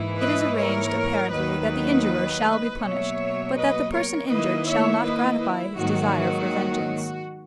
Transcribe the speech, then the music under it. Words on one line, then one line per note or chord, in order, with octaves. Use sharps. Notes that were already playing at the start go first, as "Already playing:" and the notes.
It is arranged, apparently, that the injurer shall be punished, but that the person injured shall not gratify his desire for vengeance.
Already playing: G#2 E3 A#3 E4
B4 D#5
A#4 C#5
D#2 D#3 F#3 A#3 B4 D#5
B2 F#3 A#3 C#5 E5
B4 D#5
A#4 C#5
D#3 A#3 E4 B4 D#5
C#5 E5
B4 D#5
E4
G#2 D#3 F#3 A#3 F#4